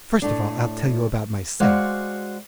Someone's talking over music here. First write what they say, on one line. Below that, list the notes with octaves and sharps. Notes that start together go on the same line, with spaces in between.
First of all I'll tell you about myself.
A2 A3 D4
G#3 F#4 C5 D5 F5